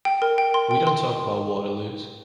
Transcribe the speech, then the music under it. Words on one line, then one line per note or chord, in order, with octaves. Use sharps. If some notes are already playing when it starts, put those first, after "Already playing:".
We don't talk about Waterloos.
G5
A#4
G5
C6
G5
C6